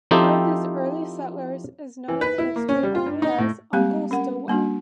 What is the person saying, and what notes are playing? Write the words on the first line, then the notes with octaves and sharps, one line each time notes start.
One of these early settlers is known in history only as "Uncle" Stillwell.
F3 C4 D#4 E4 G4 A4
E3
B4
E4
A#3
C#4
G3
F4
G2
D#4
A2
G3 G#3 A#3 C4 G4 F5
C#4 A#4 F#5
G3 A#3 D4 F#4